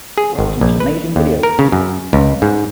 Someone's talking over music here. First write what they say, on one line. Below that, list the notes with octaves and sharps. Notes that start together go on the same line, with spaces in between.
The World's Most Amazing Videos!
G#4
G#1
A#1
B4
D#2
A#4
C#3
F#2
C#2
G#2